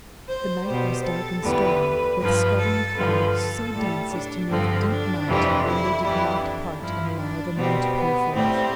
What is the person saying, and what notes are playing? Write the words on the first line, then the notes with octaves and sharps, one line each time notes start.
The night was dark and stormy, with scudding clouds, so dense as to make deep night, when they did not part and allow the moon to peer forth.
C5
B2 G3 C5
A4
E2 D3 G3 B4
G2 F3 B4
A4
G2 D3 F3 B4
A4
A2 G3
D4
G2 D3 F3 C4
D4
F2 C3 E3 G3
E4
F2 E3 G3 E4
D4
G2 F3 E4
D4
B2 G3 C4
B3
A2 G3 C4